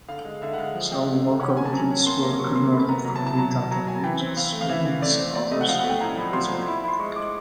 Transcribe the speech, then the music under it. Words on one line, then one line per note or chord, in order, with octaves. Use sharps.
Some locomotives were converted from redundant engines, whilst others were purpose built.
D3 F5
G#3
D3 E5
F#5
G#3 F5
F3
G#3 G5
D3
D3
C#4 F#5
G5
A#3 G#5
A5
F#3 A#5
C#4
A#3 C6
A#3
F#3 C#6
A#3 C6
D3 B5
B3 A#5
F#3 A#5
A5
E4
A5
F#3 A#5
F#3
F#3 A#5
F#3 G#5
E3 G5
C4
C4 F5
A3
F5
E3 E5
E3
A3 D5
C4
C4 D5
A3 D#5
F#5
F3 F5
A3 F#5
G5
A2 A#5
F3 B5
F3 C6
F3
E4 B5
B5
E4 C6
G#3 C#6
G#3 D6